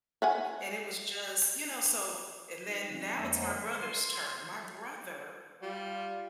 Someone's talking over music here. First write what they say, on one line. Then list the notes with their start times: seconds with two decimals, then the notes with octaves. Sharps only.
and it was just, you know so, and then now it's my brother's turn. My brother
0.22 E5 F#5 G#5
2.67 D#4
2.90 D3 F3 G#3 C4 C#4
3.16 F2 G#3 A#3 A#4 E5 E6
3.35 C5 C#5 D#5 F#5 G#5 A#5
3.79 C6
5.62 G3 F4